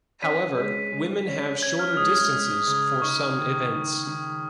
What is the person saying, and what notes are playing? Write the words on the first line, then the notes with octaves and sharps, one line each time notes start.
However, women have shorter distances for some events.
C#4 B6 D#7
G#3
G#3
C#4
C#4 G#6
F6
G#3 D#6
F6
G#3
C#3
D#4 C#6
D#3
D#3
D#3